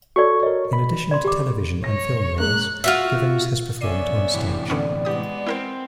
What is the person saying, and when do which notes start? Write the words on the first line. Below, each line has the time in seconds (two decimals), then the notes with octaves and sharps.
In addition to television and film roles, Givens has performed onstage.
0.16 F#4 A4 C#5 D5 C#6
0.43 A#4 C#5 D#5
0.73 B5
1.11 D5 C6
1.24 G4 D6
1.84 C#5 A#6
2.40 G#3 A#3 F#6
2.84 F4 F#4 E5
3.81 B3 C#4 D5 E5 C7 D#7
4.34 A2 C3 E3
4.70 D3 B3 C#4
5.05 G#3 B3 G4 D#6
5.47 C4 E4 A#4 C5